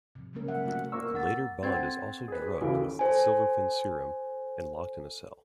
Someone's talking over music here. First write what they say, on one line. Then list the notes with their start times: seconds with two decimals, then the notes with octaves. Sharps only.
Later Bond is also drugged with the SilverFin serum and locked in a cell.
0.15 C3 F3
0.33 C#3 G3 G#3 A#3 C#4 A#4
0.47 C3 F#3 G#3 A#4 E5 F#5
0.65 C3 A3 C4 F4 F#4 F#5
0.92 A#3 C#6 E6
1.15 F#5 A6
1.63 C4 A4 F#5 G5 G#6 A6
2.28 G#4 B4
2.61 D#2 C#3 E3 F#4 A4
2.99 A4 C5 G#5